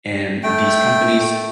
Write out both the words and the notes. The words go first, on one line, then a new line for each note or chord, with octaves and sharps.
em, these companies
A3 G5